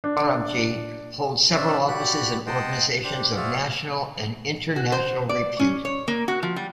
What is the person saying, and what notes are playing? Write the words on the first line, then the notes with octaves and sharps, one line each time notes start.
Sorabjee holds several offices in organizations of national and international repute.
D4
C#4 D4 C5 E5 A5
F#4 G4 D5 B5 F#6
D#5 F#5 G5 A5 C6
D4 G4 C5
F#4 G#4 C5 D5 E5 F5
F#4
C5
D5
C#4
C#5
A#3
F#4
F3
G3